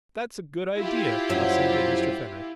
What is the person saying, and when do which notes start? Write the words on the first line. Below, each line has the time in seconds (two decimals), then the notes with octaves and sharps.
"That's a good idea," assented Mr. Fenwick.
0.78 E4 F4 G4
1.29 F#2 F3 F#3